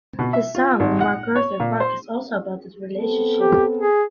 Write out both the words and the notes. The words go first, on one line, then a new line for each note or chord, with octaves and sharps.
The song MacArthur Park is also about that relationship.
B2
E5
F4
G#1
F#5
C#5
A#2
C5
B3 C4 A4
G4
G#4